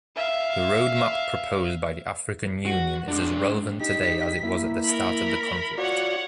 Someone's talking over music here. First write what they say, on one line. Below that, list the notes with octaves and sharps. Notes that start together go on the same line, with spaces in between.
The roadmap proposed by the African Union is as relevant today as it was at the start of the conflict.
E5 F5
F#4
G#3 D4
D#4 G4 B6
A#3 E4
A#4 B5
F4 F#4 C#5 D5 F#5